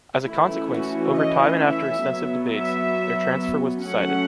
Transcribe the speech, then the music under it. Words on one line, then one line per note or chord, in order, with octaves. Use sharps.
As a consequence, over time and after extensive debates, their transfer was decided.
E3 A3 C#4 E4
F#4
D#5
E5
F#3 B3
E5
F#3 A3 C#4 F#5